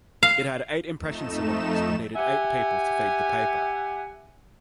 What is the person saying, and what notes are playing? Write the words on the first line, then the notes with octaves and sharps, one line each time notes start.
It had eight impression cylinders and needed eight people to feed the paper.
F5
F2 A3 D#4 E7
G4 E5 F#5 G#5